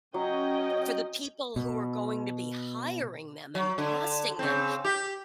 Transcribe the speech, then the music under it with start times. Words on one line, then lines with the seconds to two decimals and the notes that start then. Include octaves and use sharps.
for the people who are going to be hiring them and casting them.
0.14 F#3 C#4 D#5 G5
1.56 B2
3.55 F#3
3.78 D3
4.39 C#3 C4
4.85 G4